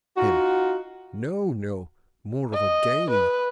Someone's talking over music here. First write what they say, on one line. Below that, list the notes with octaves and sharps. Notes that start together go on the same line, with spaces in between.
HIM: No, no. More of a gain.
D#4 F4 F#4
D#5
B4